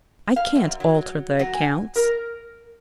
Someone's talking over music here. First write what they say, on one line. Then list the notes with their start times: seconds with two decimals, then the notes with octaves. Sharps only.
'I can't alter the accounts.
0.36 F5
0.55 F#2
0.80 F#3
1.39 F#3
1.54 G#5
1.96 A#4